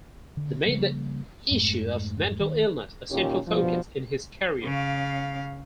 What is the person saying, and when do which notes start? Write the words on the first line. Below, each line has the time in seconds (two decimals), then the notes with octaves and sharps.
He made the issue of mental illness a central focus in his career.
0.37 D3
0.65 C#3 F3 G3 A#3
1.51 F2 G#2 A3
2.40 D#3
3.10 D#2 A#2 C#4 G4
3.48 G2 B2 F3
4.63 C#3 F5